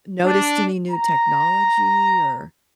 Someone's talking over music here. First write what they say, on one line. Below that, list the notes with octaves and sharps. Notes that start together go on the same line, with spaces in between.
noticed any new technology or
D4
A#5